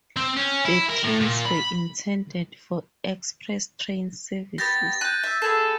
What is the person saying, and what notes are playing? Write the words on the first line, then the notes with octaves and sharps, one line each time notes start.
The trains were intended for express train services.
C4
C#4
E4
A#4
A2
A#2
B5
B3 G4 A6 A#6
F#6 G6 D#7
E5
B3 G#4 A4